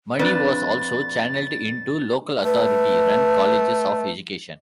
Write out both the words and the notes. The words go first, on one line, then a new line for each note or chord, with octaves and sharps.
Money was also channelled into local-authority run colleges of education.
F2 D4 B4 A6
A3 B4